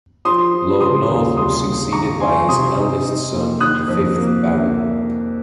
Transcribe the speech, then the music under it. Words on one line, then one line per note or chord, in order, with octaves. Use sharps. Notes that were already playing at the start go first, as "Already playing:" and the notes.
Lord North was succeeded by his eldest son, the fifth Baron.
F3 C6 D#6
F3
C#3 C6 D#6
D#2
C2 C6 D#6
C2
D#3 A#5 C#6
D#3 G#5 C6
C3 C6 D#6
D#4
D#4
A#3
D#3 D#6 F#6
F2
A#3